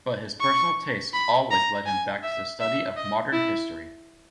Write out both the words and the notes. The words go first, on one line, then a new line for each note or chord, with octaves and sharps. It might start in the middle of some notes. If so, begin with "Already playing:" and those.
But his personal tastes always led him back to the study of modern history.
C#6
B5
A#5
G#5
E5
E5
D#5
E4